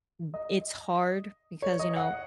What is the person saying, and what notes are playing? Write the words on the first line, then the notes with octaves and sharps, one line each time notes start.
mm, it's hard because, you know,
D#5
C#5
D#5
F#5